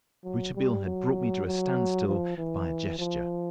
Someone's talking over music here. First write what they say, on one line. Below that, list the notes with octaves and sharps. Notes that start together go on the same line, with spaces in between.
Rouletabille had brought me to a standstill by a gesture.
F#3
G3
F#3
F#3
F3
E3
F3